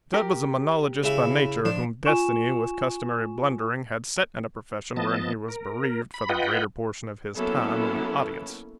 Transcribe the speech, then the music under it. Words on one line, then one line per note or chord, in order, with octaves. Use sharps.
Jud was a monologist by nature, whom Destiny, with customary blundering, had set in a profession wherein he was bereaved, for the greater portion of his time, of an audience.
G4 A#4
C#3 E4
F3 D4
F4 G#5 C#6 E7
F3 B3 D#5 A5
A#4
B5
F4 B4 D#5 F#5 G5
F#3 A#3 B3 C#4 E4 A4